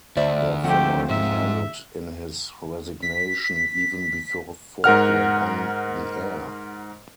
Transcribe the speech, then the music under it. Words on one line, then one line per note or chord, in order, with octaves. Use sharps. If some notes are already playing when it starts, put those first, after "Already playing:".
Therefore, he handed in his resignation even before Ford went on the air.
D2 C5 D5 E5
F3 A3 C4 G4 F#5
G#2 E5
B6
G#2 A#4 F#5 F6